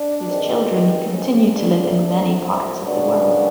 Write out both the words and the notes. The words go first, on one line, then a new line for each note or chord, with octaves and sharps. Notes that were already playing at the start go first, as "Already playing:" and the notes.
His children continue to live in many parts of the world.
Already playing: D4
G2 D#3 G#3 C4
E2 C#3 F#3 A3 C4 C#4
D4
C2 C3 F3
D#2 C#3 F#3 B3 D4